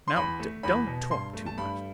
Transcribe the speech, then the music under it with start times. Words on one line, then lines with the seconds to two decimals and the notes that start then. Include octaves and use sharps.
Now don't talk too much.
0.08 C6
0.16 E2 B5
0.39 A3
0.63 E2 B5
0.87 B2
1.10 G2 C6
1.33 A3
1.46 A5
1.58 G2 B5